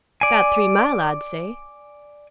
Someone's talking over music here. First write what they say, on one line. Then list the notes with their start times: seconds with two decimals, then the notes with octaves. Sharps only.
'Bout three mile, I'd say.
0.21 D5 G#5